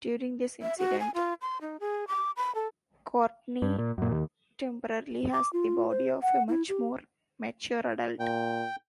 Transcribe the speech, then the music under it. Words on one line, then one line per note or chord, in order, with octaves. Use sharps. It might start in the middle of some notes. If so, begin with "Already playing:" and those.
During this incident, Courtney temporarily has the body of a much more mature adult.
E5
F#4
G#5
F4
C6
D#4
G#4
D6
B5
A4
G2
A#2
F#2 A#2
D#2
D6
F4
C5
F#5
E4
G4
A#2 G5